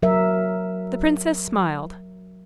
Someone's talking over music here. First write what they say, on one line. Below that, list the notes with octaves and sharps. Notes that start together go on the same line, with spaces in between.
The princess smiled.
F#3 A#4 E5